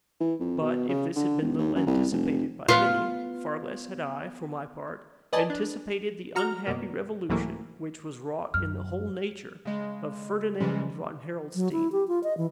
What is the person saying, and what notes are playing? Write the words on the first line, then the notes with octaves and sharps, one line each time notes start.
But, if this had been little anticipated by many, far less had I, for my part, anticipated the unhappy revolution which was wrought in the whole nature of Ferdinand von Harrelstein.
E3
F2
B2
C#3
D3
E1
D#2
F#2
C2
F1
B3 F4
B4 D5 D#5 G#5 A5
D4
F#4 A#5 F6
F#2 B2 A#3
C2 G#2 E3 F#3 A3 A#3
F#2 F6
C#3 G#3
C#3 E3 F3 G3 G#3 C#4
F#3
E4
G4
F4
D#5
E3